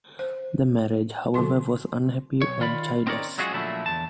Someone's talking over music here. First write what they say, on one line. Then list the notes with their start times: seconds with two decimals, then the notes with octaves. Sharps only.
The marriage, however, was unhappy and childless.
0.19 C5
1.34 D3 F#3 F#4 C6
2.42 B1 C#5
2.60 D#3 F4 D5 B5
3.07 C4 D#4 A#4 C#5 D5
3.39 F#3 G#3 C#4 F4 F#4 G#4
3.52 A#2 D3 F3 F#3 A3 E4
3.86 E2 A5